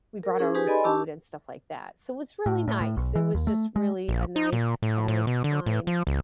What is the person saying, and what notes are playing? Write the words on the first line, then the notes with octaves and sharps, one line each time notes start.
we brought our own food and stuff like that, so, it was really nice, it was just really a nice a nice time
A#4
C#4 E4 G#4
D#4 G4 G#4 B4 G#5
A4 D5 D#5 G#5 B5 C6
D4 G4 A5 C#6 D6 E6
A2
A2
A2
B1
E3
D#2
A3
G#3
A#1
D#4
A#2
A2
A2
B2
D3
A2
F3
C#2